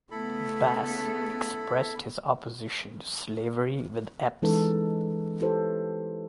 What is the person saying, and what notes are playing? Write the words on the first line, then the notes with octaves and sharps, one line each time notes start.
Bass expressed his opposition to slavery with Epps.
C#3 A3 B3 E4 A4 B5
E3 G#3 C#4 D#4 A4 B4
E4 G4 A4 B4 C5